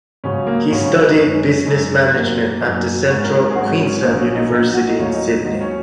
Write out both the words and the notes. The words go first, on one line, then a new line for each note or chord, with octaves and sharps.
He studied business management at the Central Queensland University in Sydney.
C#2 C#3 F#3 C#4
A#3
C#2 C#3 F#3 C#4
C#4
D#4
F#2 D#3 G#3 C#4
F#2 D#3 G#3
F#2 D#3 F#3 A#3
F#2 D#3 F#3
G#1 G#2 F#3 C#4
A#4
A#4
G#4
G#1 G#2 F#3 F#4
C#4
C#4
A#1 A#2 F#3 A#3
C#4
D#4
A#1 A#2 F#3 D#4
F#4
D#4
D#2 D#3 F#3 C#4
D#4
D#2 D#3 F#3 D#4
C#4